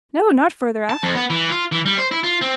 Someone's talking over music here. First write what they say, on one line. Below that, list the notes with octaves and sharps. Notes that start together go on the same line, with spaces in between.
"No, not further aft."
A5
F2
B3
E3
F4
E3
G3
C5
E4
F4
C4